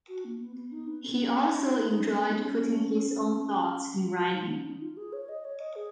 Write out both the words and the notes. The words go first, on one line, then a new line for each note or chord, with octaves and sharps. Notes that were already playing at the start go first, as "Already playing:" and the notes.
He also enjoyed putting his own thoughts in writing.
F#4
A#3
B3
B3
D#4
B3
C#4
D#4
D#4
C#4
B3
D#4
C#4
F4
D#4
C#4
D#4
F4
G#4
C#5
D#5
C#5
D#5
G#4